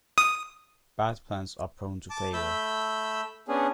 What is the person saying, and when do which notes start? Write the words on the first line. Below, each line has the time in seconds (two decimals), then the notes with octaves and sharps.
Bad plans are prone to failure.
0.18 D#6
2.10 A5 D6
2.34 A3 B5 E6 G6
3.48 B3 C#4 D4 G#4